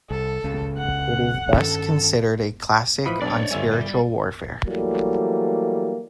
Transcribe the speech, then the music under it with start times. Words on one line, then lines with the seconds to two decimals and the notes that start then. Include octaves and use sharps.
It is thus considered a classic on spiritual warfare.
0.11 C2 A4
0.44 C#2 C#3
0.78 F#5
1.56 G2 D#3 C#4 A4
3.06 A2 E3 F3 D#5 B5
3.22 B1 G2 D4 C#5 D5
3.51 G1 G2 E5 G#5
3.73 G3
4.66 E3 F#3 G3 A3 A#3